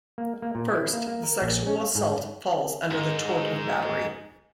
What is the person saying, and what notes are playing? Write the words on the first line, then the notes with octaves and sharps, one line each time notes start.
First, the sexual assault falls under the tort of battery.
A#3
A#3
A#2
E4
A#3
A#3
A#4
A#1
C#4
F5
G#2
G#3 D#4